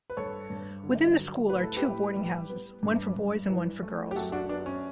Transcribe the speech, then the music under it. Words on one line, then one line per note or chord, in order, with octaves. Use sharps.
Within the school are two boarding houses, one for boys and one for girls.
B4
G2 A4 C#5
G2
D3
F#3
A2 B4
A4
G4 B4
A2
G3
B3
G2
G2
E3
A3
G4
F#2 F#4 A4
D4 F#4
B3 D4
C#4